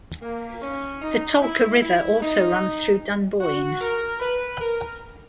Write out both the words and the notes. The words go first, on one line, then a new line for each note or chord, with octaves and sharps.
The tolka river also runs through Dunboyne.
A#3
C#4
D#4
E4
E4
D#4
F#4
A#4
B4
A#4